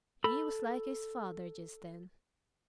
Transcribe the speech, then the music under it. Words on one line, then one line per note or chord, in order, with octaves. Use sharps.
He was like his father just then.
A4 B5